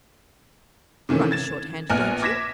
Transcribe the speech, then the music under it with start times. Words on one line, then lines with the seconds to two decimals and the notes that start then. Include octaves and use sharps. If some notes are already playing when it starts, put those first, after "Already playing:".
You write shorthand, don't you?'
1.09 C3 D#3 E3 A3 C#4
1.31 G#6 A6 E7
1.90 A#1 B3 G#5 F6 F#6
2.22 D6 G#6 A#6 B6 E7